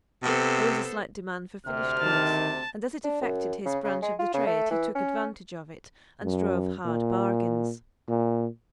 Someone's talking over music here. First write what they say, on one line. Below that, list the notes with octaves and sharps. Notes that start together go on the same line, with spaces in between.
There was a slight demand for finished goods; and as it affected his branch of the trade, he took advantage of it, and drove hard bargains.
C3 B3 A4 C5
D2 C3 F6
D#3 A5
D4
F#2
C#3
C#3
G#3
F4
C#3
A3
E3
C#4
F#2
A#2
A#2